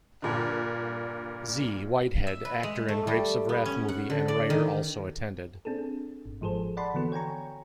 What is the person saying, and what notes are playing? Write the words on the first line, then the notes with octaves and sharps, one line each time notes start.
Z. Whitehead, actor in Grapes of Wrath movie and writer also attended.
G2 A#2 D3
E5
B4
G#3
A3
G3
B3
C#4
F#5
D3
D5
D#3
C4 D4 G#4 A4
G1
G#2 F3 G#4 A4 C5
D5 F#5 A5 B5 C6
D3 E3 B3 F#4 A4
C#5 G5 G#5 A#5 C#6